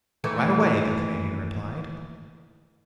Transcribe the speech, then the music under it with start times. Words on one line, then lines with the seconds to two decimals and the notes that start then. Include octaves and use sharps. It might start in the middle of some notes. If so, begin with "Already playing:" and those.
"Right away!" the Canadian replied.
0.24 D#2 E3 A3